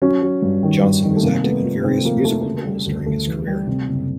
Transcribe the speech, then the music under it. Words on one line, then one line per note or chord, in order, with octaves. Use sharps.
Johnson was active in various musical roles during his career.
F#3 C#4
F#3
G2
D#3
G2
D#3
A3
C3 A#3
A3 B3
F3
C3 C4
A3
F3 A#3
A3
C#3
G3
D2
D2 A3
E3
G3
C3
F#1